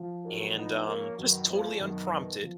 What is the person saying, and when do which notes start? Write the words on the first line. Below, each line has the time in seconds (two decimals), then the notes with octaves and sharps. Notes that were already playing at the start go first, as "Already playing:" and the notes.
And, um, just totally unprompted,
Already playing: F3
0.24 D#3 F#3 A#4
0.56 F3 B3 D#4
0.87 A#3 C#4 A#4
1.18 F#2 B2 D#3
1.49 C#3 F3 B3
1.80 F#2 B2 D#3
2.11 B3
2.43 F3